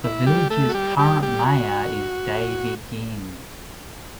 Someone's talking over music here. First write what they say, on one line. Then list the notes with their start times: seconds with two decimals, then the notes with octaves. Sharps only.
The village's current mayor is Davy Ginn.
0.04 E4
0.27 G3 G4
0.50 A3 A4
0.69 F#4
0.74 G3 G4
0.99 G3 G4
1.22 G3 G4
1.46 F#4